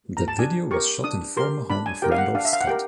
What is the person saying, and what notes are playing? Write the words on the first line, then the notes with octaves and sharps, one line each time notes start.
The video was shot in the former home of Randolph Scott.
A#5
A5
D4 G#5
G4 A#4 C#6
D4 D#6
G4 A#4 C6
D4 B5
G#5
G4 A#4 G5
F5
F#5
D4 F5
E5
F5
F#5
G4 A#4 G5